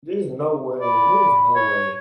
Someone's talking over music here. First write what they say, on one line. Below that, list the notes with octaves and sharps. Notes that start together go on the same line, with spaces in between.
There's no way, there's no way.
D5 B5
C#5